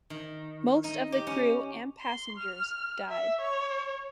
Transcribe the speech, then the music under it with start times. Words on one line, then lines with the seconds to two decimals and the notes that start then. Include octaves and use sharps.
Most of the crew and passengers died.
0.10 D#3
0.84 D#4
1.12 G4
1.27 C#4
2.02 C6
2.38 F6
3.10 E5
3.41 C#5